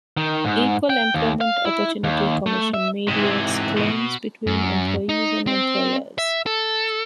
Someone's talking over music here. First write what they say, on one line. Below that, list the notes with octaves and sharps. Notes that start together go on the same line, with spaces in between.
Equal Employment Opportunity Commission mediates claims between employees and employers.
D#3
G#2
G5
D#2
F5
E4
D#2
A3
E5
G#2 C3 E3
B2
F#2
D#4
C4
E5
A4